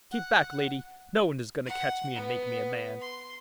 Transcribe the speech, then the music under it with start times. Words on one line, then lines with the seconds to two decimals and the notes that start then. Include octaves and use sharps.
"Keep back, lady, no one is going to catch me and make me a man."
0.11 F#5
1.66 F#5
2.16 B3
3.01 C6